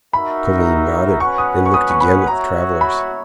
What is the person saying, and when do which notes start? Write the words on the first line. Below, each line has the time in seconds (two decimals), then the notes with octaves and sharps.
Toline nodded, and looked again at the travelers.
0.13 D#4 F#4 A#4 E5 B5
1.20 C#4 F#4 B4 F#5 C#6
1.38 D#6
1.66 C#6
1.74 D#6
1.91 C#6
2.01 B5
2.27 F#4 C#5 E5 A#5
2.81 B5